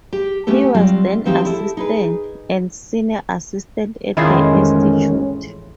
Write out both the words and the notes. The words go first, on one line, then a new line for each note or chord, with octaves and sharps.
He was then assistant and senior assistant at the institute.
G4
A3 B3 C#4 G4 A4
F#3 G3 C4 F4
E3 F3 C4 D#4 E4 G4
E4 G4 A4
D#4 G#4 B4
A1 F2 D#3 G#3 C#4 E4 F4 G#4